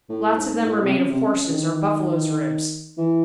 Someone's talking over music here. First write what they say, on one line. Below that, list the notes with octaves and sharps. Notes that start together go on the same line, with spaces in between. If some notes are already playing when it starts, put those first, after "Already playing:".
Lots of them are made of horses' or buffaloes' ribs.
A2
G#2
A2
C3
C#3
C3
C#3
C#3
D#3
E3